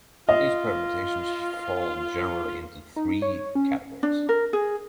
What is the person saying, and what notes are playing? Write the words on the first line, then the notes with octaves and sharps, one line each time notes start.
These permutations fall generally into three categories.
F4 D#5
D#4
C#5
C#4
D4
A#4
G#4